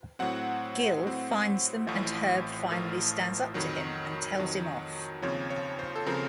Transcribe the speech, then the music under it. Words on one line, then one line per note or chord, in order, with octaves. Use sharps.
Gil finds them and Herb finally stands up to him and tells him off.
A2 F#3 C4 F#5
A2 F#3 C4
A1 A2 F3
A1 A2 F3 A#4
F2 D#3 F#3
F2 D#3 F#3
D#2 C#3 F3 C4 C#5
C#5
C5
A4
C#3 F3 C4 A#4